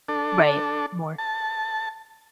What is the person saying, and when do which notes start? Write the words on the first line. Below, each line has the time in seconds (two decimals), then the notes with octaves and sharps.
Right. More.
0.08 D4 A4
1.18 A5